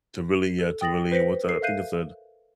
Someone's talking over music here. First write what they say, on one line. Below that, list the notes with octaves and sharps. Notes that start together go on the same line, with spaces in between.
To really, uh, to really, what's that, I think it said
A4
G5 D#6 A6 A#6 F#7
B4 C5 A#6 B6 C#7
A4 A#4 C7
E5 F5 F#6 G6 C7 D#7